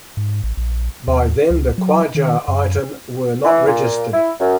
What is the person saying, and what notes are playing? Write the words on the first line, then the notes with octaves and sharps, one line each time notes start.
By then the Qajar item were not registered.
G#2
A1
A#1
D#2
C#2
F#3
D#3
F#2
E3
A#2
E4
F#2